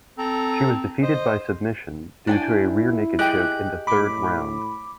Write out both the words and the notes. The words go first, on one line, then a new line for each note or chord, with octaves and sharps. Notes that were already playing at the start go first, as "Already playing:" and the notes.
She was defeated by submission due to a rear-naked choke in the third round.
C4 A4 A#5
C5 D#5
D4 E4 G5 G#5
G4 G#4 D#5 G5 F#6
A2 B5 D6